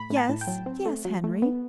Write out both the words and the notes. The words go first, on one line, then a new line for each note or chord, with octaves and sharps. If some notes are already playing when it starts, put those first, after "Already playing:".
"Yes--yes, Henry?"
Already playing: A2 B5
A2
A5
A2
G5
F#3
C4
A3
F#3
A3
B3